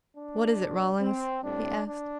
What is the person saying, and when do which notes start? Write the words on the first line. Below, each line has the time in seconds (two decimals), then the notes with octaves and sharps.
"What is it, Rawlins?" he asked.
0.17 D4
0.59 C2 B2 F#3
1.01 C4
1.43 A2 G3 C4 D4
1.86 D4